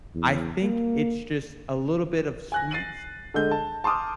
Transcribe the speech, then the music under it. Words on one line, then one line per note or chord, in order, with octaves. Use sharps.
I think it's just a little bit of sweets
E2
A#3
G#5 F#6 A#6
A6 C7 D#7 F#7
D3 G#3 G6
A5
A5 C6 D6 D#6 F6